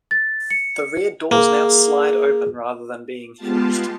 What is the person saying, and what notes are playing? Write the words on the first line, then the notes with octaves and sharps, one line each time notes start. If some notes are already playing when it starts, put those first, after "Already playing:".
The rear doors now slide open rather than being hinged.
A6
C#7
A#3 G#4
G#3 B3 F4 G4 F5 A5